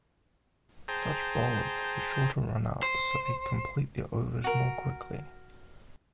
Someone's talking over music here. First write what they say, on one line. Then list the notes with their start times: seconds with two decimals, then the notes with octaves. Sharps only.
Such bowlers have a shorter run up so they complete their overs more quickly.
0.88 G#4 C5 G5 A5 A#5
2.83 C5
4.44 F#4 A#4